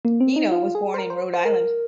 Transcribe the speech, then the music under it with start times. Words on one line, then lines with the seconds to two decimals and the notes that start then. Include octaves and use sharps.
Eno was born in Rhode Island.
0.05 A#3
0.20 C4
0.36 D#4
0.52 F4
0.75 G#4
0.94 C5
0.98 A#4
1.10 C5
1.34 C5
1.45 A#4